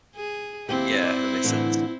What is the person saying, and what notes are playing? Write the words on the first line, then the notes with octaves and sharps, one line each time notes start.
Yeah, that makes sense.
G#4
D#2 C4 E4 G4
D5
A2 D3 E3